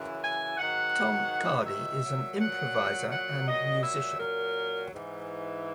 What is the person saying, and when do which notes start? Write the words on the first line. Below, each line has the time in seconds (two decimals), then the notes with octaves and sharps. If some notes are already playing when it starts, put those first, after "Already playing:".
Tom Cardy is an improviser and musician.
Already playing: F#2 C#3 E3
0.21 G#5
0.57 G#2 D#3 F#3 F#5
1.65 E5
2.02 A#2 F#3
2.38 F#5
3.10 F#5
3.46 A#2 F#3 D#5
3.83 E5
4.18 A#4
4.91 G#2 E3